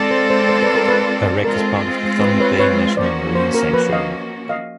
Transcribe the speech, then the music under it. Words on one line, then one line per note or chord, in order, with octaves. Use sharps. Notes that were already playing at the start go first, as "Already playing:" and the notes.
Her wreck is part of the Thunder Bay National Marine Sanctuary.
Already playing: G#3 C4 F4 A4 D5
C5
C5
C5
B4
A#4
B4
G#3 C4 F4 A#4
A4
B4
B4 C#5
B4 C#5
F3 A#3 C#4 F#4 C5 D5
C5
A#4
B4
D#5 F5
D#5 F5